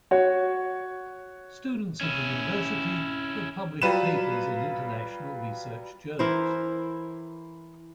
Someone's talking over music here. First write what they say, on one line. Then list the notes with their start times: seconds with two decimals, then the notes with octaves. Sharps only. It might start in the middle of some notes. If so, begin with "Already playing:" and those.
Students of the University have published papers in international research journals.
0.11 F#4 C#5
2.01 C#4 E4
3.82 F#3 G3 F4 B4 D#7 E7
6.19 E3 E4 A#4 C5